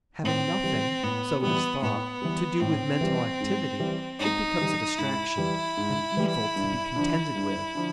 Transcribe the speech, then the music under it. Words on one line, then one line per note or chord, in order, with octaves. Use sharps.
Having nothing, so it is thought, to do with mental activity, it becomes a distraction, an evil to be contended with.
A2 C4
E3 G3
A2 B3
E3 G3 B3
A2 B3
E3 G3
A2 C4
E3 G3
G#2
E3 G3
G#2 D#4
E3 G3
G#2 E4
E3 G3
G#2
E3 G3
G2
D3 F3
G2
D3 F3